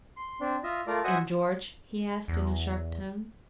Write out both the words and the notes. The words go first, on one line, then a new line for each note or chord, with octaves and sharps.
"And George?" he asked in a sharp tone.
C6
C4 D4
F4 D#5 E5
A3 F4 A#4 D5
F#4 C5 D#5 E5 F#5 G#5
E2